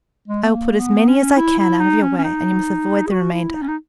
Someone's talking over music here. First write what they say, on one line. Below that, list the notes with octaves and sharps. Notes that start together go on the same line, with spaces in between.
I will put as many as I can out of your way, and you must avoid the remainder.
G#3
B3
A#3
B3
C#4
E4
E4
D#4
C#4
C#4
D#4
G#4
F#4
E4
D#4
C#4
D#4